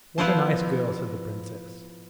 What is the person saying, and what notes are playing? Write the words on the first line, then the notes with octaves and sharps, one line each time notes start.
"What a nice girl!" said the princess.
F3 B3 E4 C5 A5